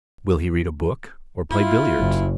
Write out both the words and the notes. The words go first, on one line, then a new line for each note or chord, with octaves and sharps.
Will he read a book or play billiards?
E4 F4
F#1